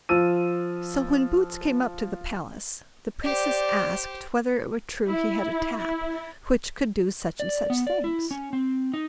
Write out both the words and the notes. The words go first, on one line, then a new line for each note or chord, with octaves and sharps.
So when Boots came up to the palace, the Princess asked whether it were true he had a tap which could do such and such things?
F3 E6 D#7
G4 C5 D5
E4
E4
D5
B3
D5
E4
C#4
C4
D#4